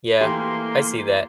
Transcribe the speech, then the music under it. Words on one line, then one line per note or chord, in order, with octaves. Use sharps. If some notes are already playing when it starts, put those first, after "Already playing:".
Yeah, I see that.
E3 A3 A#3 G4 C6